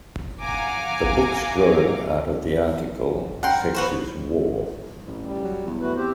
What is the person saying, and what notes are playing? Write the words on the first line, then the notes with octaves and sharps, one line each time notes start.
The books grew out of the article Sex Is War!
F5 F#5 G#5 A#5 D6
A#4 F#5 G5 C6
B3 F#4 C5
A1
G3
F#3
E2
A3 F#4 B4
C4 G4 C5